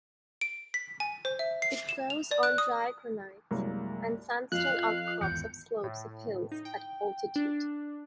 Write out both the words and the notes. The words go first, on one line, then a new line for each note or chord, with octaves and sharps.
It grows on dry granite and sandstone outcrops of slopes of hills at altitude.
D7
B6
G#5
C5
E5
C7
E7
F7
D5
F#6
D#6
C2 F#2 G#3 A#3
F2 F5 F#6
G#1 E2 E3 G6 C#7
A2
D#4
G5
D4